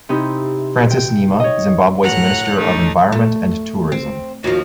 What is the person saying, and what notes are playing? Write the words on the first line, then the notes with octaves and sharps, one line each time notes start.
Francis Nhema, Zimbabwe's Minister of Environment and Tourism.
C3 D#4 E4
G5
C#5 D#5
A2 F#5 A#5 F6 F#6
A2 A3 D4 D#4
A3
C4
D#2 F3 F#4